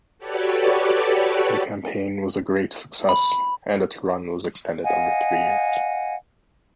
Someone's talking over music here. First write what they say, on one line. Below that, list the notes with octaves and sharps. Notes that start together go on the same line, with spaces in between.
The campaign was a great success and its run was extended over three years.
F#4 G4 A4 B4 C#5 D5
B5
D#5 F5 F#5 G#5